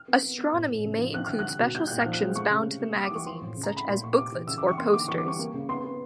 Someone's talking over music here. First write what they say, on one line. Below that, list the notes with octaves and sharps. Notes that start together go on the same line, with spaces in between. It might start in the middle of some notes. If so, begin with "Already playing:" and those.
"Astronomy" may include special sections bound into the magazine, such as booklets or posters.
Already playing: F6
B3
B3
B3
A2
A2
C#3
F3
F3 F#6
D3 F6
F#6
G3
B2
G3 G6
A#2 F#6
F6
F3
F#6
G#3
A3 C#6
C#3
C3
A#3
G3 D#6
D6
E3 C#6
F3 C6
A2
C#3
A#5
A3 B5
A#2 C6
A#2 C#6
C3 D6
E3
C#3 E6
E3 D6
C#6
A#3 C6
D3 D6
E3 C#6
D6
G3 C#6
A#3
C#3
B3 C6
B3